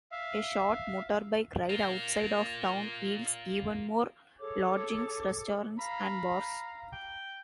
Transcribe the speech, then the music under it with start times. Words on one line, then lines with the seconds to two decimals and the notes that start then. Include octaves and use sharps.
A short motorbike ride outside of town yields even more lodgings, restaurants and bars.
0.12 E5 F5
1.69 F4 A#4
4.39 G#4 A4 C#5 D6
5.79 F5 A#5 B5
6.93 G5